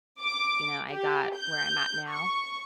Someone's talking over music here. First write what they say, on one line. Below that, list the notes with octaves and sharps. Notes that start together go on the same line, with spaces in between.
you know, I got where I'm at now,
D6
G4
G6
C#6